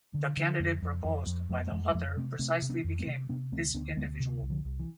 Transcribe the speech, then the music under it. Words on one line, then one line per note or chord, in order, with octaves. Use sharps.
The candidate proposed by the author precisely became this individual.
D3
D3
F2
F2
F2
F2
F2 F3 A3
A3
F2 E3 G#3
G#3
F2 F3 A3
C3 A3 C4
C3 A3 C4
C3
B3 D4
F2
A3 C4
C3
C3 B3 D4
D2 A3 C4
D2 B3 D4
D2 G#3 B3
C3
C2
D3 F3
C2
E3